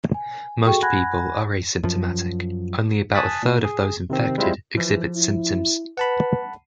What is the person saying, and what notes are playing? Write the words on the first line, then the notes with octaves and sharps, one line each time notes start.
Most people are asymptomatic; only about a third of those infected exhibit symptoms.
G#5
F#4 G#4 A4 G5 C#6
F#5 G#5 B5 F#6 G#6 A#6
F#2 F3
G#5 A5 D#6 F#6 A6 B6
A#2
G#4
C3 D#3 C4
G3 G#3 C4 E4 F4
E3 F3
E4
B4 F#5 A5 B5